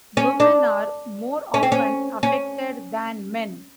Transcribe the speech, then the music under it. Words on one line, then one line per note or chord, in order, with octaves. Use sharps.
Women are more often affected than men.
C#4
D4
C#4
C4
C#4
C#4